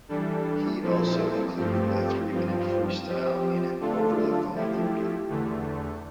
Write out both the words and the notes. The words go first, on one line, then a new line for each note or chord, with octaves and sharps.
He also included a three-minute freestyle in an over the phone interview.
E3 G3 D4 A4
A#2 F3 C4 E4 A4
G2 F3 A3 C4 G4
G2 F3 C4 F4
F3 C4 G4
D3 A3 D4 F4 A4
F3 A3 E4 G4
E2 D3 A3